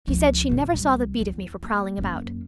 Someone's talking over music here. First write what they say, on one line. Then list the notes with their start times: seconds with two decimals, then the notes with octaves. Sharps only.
She said she never saw the beat of me for prowling about.
0.07 C#2 F3
0.49 A#2 D3
0.74 C2
1.21 E2
1.63 A#3
1.98 F#2 A#3